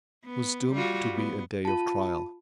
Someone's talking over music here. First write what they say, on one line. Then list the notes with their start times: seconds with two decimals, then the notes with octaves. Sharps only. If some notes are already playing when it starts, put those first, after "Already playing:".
It was doomed to be a day of trial.
0.25 B3
0.73 G3 F4 F#4
1.14 B3
1.65 F4 A5